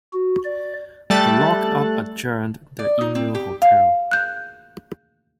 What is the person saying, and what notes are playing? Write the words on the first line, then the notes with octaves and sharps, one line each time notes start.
The lock-up adjoined the Emu Hotel.
F#4
D5
G3 A3 A4 F#6 A6
D5
D#4
C4
G4
F5
F#6 G6